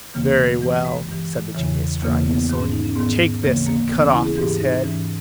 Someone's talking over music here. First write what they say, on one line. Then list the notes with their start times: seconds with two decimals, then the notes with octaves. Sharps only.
"Very well," said the genius, drawing his sword, "take this, and cut off his head."
0.14 D#2 C#3 E3 A#3
0.38 G#3
0.61 G2 E3 G#3
0.85 G#3
1.08 G2 E3
1.55 E2 C#3 E3
2.02 E2 C#3 E3 A#3
2.25 B3
2.49 G#2 D#3
2.60 C#4
2.72 D#4
2.84 C#4
2.95 G#2 D#3 B3
3.43 D#2 C#3 E3 A#3
3.66 A#3
3.90 D#2 C#3 E3 B3
4.02 C#4
4.13 E4
4.25 G#4
4.36 G#2 E3 G4
4.61 D#4
4.83 G#2 E3 C#4